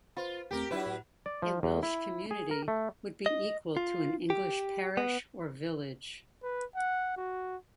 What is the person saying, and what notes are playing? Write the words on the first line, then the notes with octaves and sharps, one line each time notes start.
A Welsh community would be equal to an English parish or village.
F4 B4 C5 B5
E2 A3 C4 G4 A#4
F#3 D4 E4 F4 B4 B5
A2
D5
F3
E2
E4
G#4
A#4
A3
D#5
F4
G4
B3
B4
F#5
F#4